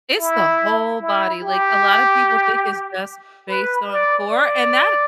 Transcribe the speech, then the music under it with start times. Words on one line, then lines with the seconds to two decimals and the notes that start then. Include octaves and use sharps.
It's the whole body, like, a lotta people think it's just based on core, and that
0.20 E4
1.02 E4
1.43 G4
3.49 B4
3.90 D5
4.31 D5